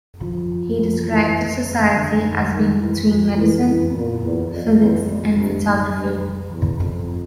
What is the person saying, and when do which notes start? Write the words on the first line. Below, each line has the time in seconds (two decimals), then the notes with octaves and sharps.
He described the society as being between medicine, physics and photography.
0.22 F3
0.79 F3
1.07 E3
1.94 D3
2.21 D#3
2.51 D#3
2.79 E3
3.08 F3
3.36 E3
3.66 E3
3.94 A#2
4.23 E2
4.51 F2
4.79 E2
5.08 F2
5.37 G2
5.66 G#2
5.95 G2
6.52 E2
6.80 F2